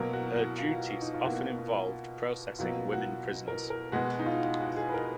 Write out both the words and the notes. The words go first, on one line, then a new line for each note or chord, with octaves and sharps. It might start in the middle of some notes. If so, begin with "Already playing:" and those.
Her duties often involved processing women prisoners.
Already playing: B2 F#3 A#3 A#4
F#4
F#4
F4
D#4
F4
B2 A#3 F#4
F4
B2 F#3 A#3 F4
F#4
A#4
A#4
B2 G#3 F#4
D#4
F4
F#4
G#4
B4
A#4